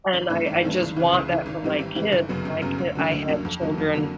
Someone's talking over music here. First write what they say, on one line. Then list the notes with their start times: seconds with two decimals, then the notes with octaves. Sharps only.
and I I just want that for my kids. My ki I had children
0.13 G#1
0.30 G2 E3 A3 C4
0.47 G#1
0.63 G2 E3 A3 C4
0.79 C#2
0.96 C#3 E3
1.13 C#2
1.28 C#3 E3
1.46 G#1
1.63 G#2 E3 G3 C4
1.79 G#1
1.95 G#2 E3 G3 C4
2.12 G1
2.28 F#2 C#3 F#3 B3
2.45 G1
2.62 F#2 C#3 F#3 B3
2.78 D2
2.95 D3 F#3 A#3 D4
3.11 D2
3.28 D3 F#3 A#3 D4
3.45 F2
3.61 D3 F#3 A#3
3.78 F2
3.95 D3 F#3 A#3